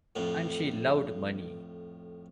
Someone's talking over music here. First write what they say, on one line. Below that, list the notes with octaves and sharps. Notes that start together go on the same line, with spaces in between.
And she loved money.
F2 A2